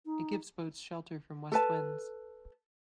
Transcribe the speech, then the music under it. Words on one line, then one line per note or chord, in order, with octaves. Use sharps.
It gives boats shelter from west winds.
D#4
A4 B4 A5